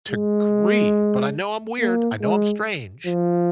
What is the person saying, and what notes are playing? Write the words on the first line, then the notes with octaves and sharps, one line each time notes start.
to grieve, but I know I'm weird, I know I'm strange.
G#3
A#3
G#3
F3